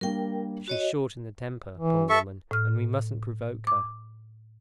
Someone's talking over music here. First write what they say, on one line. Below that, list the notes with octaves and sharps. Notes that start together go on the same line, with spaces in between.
"She's short in the temper, poor woman! and we mustn't provoke her."
G3 A#3 D4 A#4 G5
F#4 C#5 D#5
E3
A4 E5 C#6
A2 F6
D6